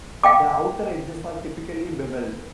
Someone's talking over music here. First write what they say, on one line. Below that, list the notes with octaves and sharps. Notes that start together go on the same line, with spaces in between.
The outer edges are typically bevelled.
F5 G5 D6